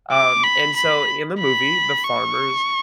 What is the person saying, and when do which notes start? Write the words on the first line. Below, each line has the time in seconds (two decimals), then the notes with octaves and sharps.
Um, and so in the movie, the farmers,
0.12 D6
0.44 B5
0.76 B5
1.40 B5
2.04 C#6